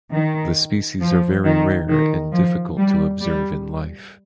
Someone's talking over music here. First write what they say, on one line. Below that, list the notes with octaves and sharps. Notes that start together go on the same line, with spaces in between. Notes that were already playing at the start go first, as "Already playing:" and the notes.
The species are very rare and difficult to observe in life.
D#3
F3
D#3
D#3
F3
G3
G3